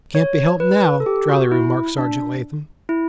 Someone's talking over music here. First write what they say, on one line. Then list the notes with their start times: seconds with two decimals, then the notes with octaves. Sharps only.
"Can't be helped now," dryly remarked Sergeant Latham.
0.15 C#5
0.60 B4
1.00 A4
1.06 G4
1.29 F#4
1.52 E4
1.98 D4
2.89 E4